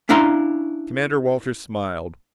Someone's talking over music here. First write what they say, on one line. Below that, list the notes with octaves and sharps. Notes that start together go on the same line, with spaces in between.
Commander Walters smiled.
C#4 D4 E4 F5 A#5 C6